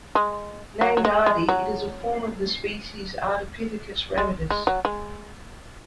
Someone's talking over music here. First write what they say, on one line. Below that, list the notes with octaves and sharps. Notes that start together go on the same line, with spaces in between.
Named Ardi, it is a form of the species "Ardipithecus ramidus".
G#3
F#3
F#3
G#3
G#3
F#3
G#3
G#3
F#3
G#3